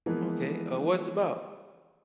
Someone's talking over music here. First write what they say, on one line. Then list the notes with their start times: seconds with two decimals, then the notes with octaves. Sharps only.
Okay, uh, what it's about?
0.06 E3 F3 G#3 A#3 B3